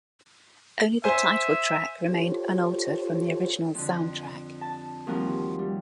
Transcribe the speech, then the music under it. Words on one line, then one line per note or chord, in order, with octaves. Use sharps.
Only the title track remained unaltered from the original soundtrack.
C5 E5 G#5
F4 G4 A4 C5 C#5
F2 D3
A5
D#2 F3 G3 C4 F#4 A#4
G3